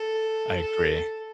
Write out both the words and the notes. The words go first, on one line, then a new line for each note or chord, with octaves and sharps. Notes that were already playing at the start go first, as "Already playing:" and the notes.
I agree.
Already playing: A4
A4